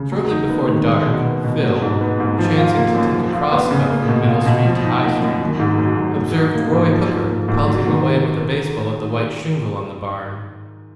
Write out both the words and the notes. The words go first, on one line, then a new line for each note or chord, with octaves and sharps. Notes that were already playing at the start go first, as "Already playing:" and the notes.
Shortly before dark, Phil, chancing to take a cross cut from Middle Street to High Street, observed Roy Hooker pelting away with a baseball at the white shingle on the barn.
Already playing: C#3
F#3
D#4
B3
D#3
G#3
B2
B3
B2
F#3
G#2
B3
G#2
F3
F4
A#3
F#2
F3
F4
B3
C#3
A#3
B2
F4
B2
F3
D#4
A#3
F#2
D#3
G#2
F#3
G#2
F#3
D#4
A#3
G#2
F3
G#2
A#3
G#2
F#3
D#3